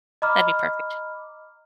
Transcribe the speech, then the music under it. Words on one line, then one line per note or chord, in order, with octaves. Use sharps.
That'd be perfect.
D#5 A#5 B5 D6 F6